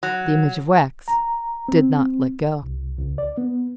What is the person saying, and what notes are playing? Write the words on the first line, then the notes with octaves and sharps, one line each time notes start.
The image of wax did not let go.
F#3
A#5
C4
C2
C#2
D5
B3